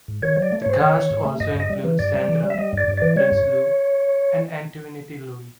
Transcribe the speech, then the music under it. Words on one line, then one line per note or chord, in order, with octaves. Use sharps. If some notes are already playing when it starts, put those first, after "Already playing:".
The cast also includes Sandra Prinsloo and Antoinette Louw.
G#2
D#3 C#5
F#3 D5
A3
C#5
G#2 C5
D#3 C#5
D#3
G#2
A3
G2 D#5
G2
D#5
G3
E3
G2 D5
G3
E3
G3
E5
G3 D#5
G2 D5
G2
E3 D5
G3 C#5
G2